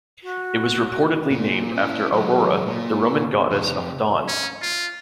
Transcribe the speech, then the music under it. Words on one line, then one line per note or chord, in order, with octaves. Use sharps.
It was reportedly named after Aurora, the Roman goddess of dawn.
F#4
A#2
C#4 E4
F#3 G#3
A#2
F2 C3
C#4
F4